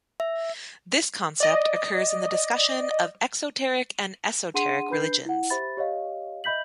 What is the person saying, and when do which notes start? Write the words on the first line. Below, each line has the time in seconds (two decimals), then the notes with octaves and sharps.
This concept occurs in the discussion of exoteric and esoteric religions.
0.20 E5
1.40 D5 D#5
4.54 D4 G#4 F#5 C6 D#7
4.90 D4 B4 B5 G6 C7
5.25 E4 F#5
5.50 G4 C5 E5 B5 A6
5.77 G4 C#5 D#5 F5
6.44 D#5 E5 B5 G6 B6 F#7